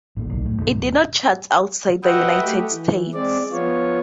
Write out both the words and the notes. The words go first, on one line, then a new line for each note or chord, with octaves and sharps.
It did not chart outside the United States.
G#1 A#2
D1 B1
A2
G#2 B2 F#3 G#3
D1
F#4 B4 D#5 E5 F#5 G5
A3 G4
E3
G#3 C4 D5
F3 B3 F4 C#5